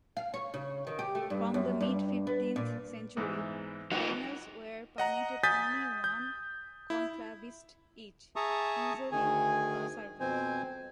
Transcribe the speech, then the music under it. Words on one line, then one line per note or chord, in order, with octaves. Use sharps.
From the mid-fifteenth century, cardinals were permitted only one conclavist each, usually a servant.
F5
C#5
C#3
D#3
G4
A3
G2
F#2
G2
B3
A#2
E2 G#2 E3
F3 D#4 F#5
D#5 F#5 A#5
G#5 D#6 G6 A6 B6
G6
E4
G#4 E5 A5 A#5 C#6 D#6
D2 D#3 G#4 G#5
F2 B2 C4 C5 G#5